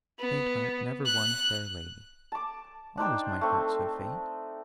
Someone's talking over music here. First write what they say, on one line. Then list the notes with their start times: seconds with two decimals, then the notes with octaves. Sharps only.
"Faint heart never won fair lady." Why was my heart so faint?
0.19 B3
1.06 F#6
2.32 A5 D6
2.98 D4 D#4 C5 G5
3.41 A3 C4